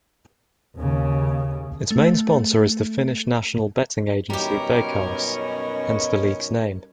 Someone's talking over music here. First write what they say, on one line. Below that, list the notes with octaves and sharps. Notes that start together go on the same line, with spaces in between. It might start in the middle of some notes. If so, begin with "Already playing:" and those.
Its main sponsor is the Finnish national betting agency Veikkaus, hence the league's name.
D#2 C#3
A3
F#2 B2 G3 C#4 D#4 G4 A#4